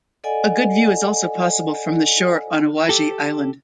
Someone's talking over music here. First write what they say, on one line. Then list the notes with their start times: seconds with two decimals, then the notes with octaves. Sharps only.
A good view is also possible from the shore on Awaji island.
0.24 A4 D5 D#5 F#5 G#5
2.89 G4 A4